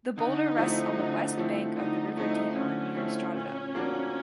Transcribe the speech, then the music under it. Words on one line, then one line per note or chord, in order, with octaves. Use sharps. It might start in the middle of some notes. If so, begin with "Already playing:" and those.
The boulder rests on the west bank of the River Deehan near Stradbally.
D3 D#4
F3 A3 C4 E4
D3
F3 A3 C4 E4
D3 D#4
F3 A3 C4 D#4 E4
D3 C#4
F3 A3 C4 E4
A#2 C#4
F3 A#3 D4 F#4